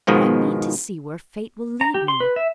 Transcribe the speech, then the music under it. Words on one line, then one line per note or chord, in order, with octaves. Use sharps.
But I mean to see where fate will lead me.'
G#2 B2 D#3 F3 G#3
A#5
G4
C6
B4
E5